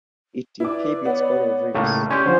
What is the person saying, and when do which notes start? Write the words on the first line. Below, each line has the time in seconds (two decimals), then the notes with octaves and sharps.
It inhabits coral reefs.
0.60 E4 B4 D5 D6
1.05 B3 C#5
1.75 C#2 A2 A3 A#3
2.10 C#4 G4 D5 C6
2.25 D3 F3 F#3 C5